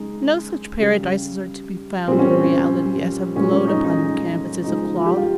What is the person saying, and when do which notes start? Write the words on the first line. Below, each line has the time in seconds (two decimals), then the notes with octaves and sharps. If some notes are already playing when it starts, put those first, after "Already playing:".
No such Paradises are to be found in reality as have glowed upon the canvass of Claude.
Already playing: C#3 G#3 D#4
0.79 C#3 G3
2.07 A#2 G3 C4
2.19 C#4
2.30 C4
3.35 A#2 F3 G#3 C#4
3.51 C#4
3.67 D#4
3.84 D#4
4.64 C#3 F3 G#3 D#4
4.96 F4
5.06 G4
5.17 F4